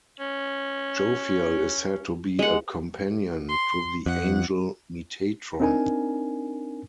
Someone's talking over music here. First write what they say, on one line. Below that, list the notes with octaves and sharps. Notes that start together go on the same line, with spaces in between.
Jophiel is said to be a companion to the angel Metatron.
C#4
G#3 F#5
C6
F2 F#5
C4 D4 D#4 A#4 G#5